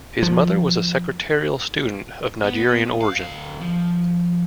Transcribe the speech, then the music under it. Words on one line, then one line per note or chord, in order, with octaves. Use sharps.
His mother was a secretarial student of Nigerian origin.
F3
B3
D2 F5
F3